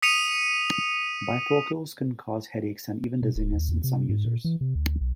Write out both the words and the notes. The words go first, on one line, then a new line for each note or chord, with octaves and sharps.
Bifocals can cause headaches and even dizziness in some users.
D#6 B6 C#7 D#7 F7
B2
D1
D#2
E2
C3
G#2
A#2
E3
C3
D2
B1